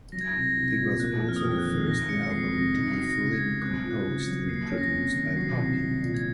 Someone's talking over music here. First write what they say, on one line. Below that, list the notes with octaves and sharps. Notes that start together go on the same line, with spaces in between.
It was also the first album to be fully composed and produced by Poppy.
F#3 A#6
G#6
A#6
C2
A#6
C2
G#6
A#2
A#3 F#6
F2
F6
D#6
F2 F6
F#6
D#3
D#3 A#6
G#3 C#7
C#7
F2 C7
C3 A#6
D#4
C#7
F#4 C7
A#6
C#3
G#6
G#3
C4 F#6
F4
F#6
C#3
C#7
F#3
A#3 C7
C#4
A#6
C3
A#6
C7
D#3
F#3 C7
C2 A#6
C7
C2
C7
A#2
G#6